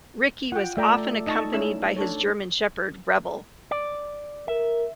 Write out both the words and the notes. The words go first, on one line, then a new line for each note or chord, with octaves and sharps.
Ricky was often accompanied by his German Shepherd, Rebel.
F4 F#5 G5
A3 A4 D5 E5 G5 A#5
D#4 D#5 A5 C#6
C#4 E4 E6
D4 A4 C#5
D5
A#4 E5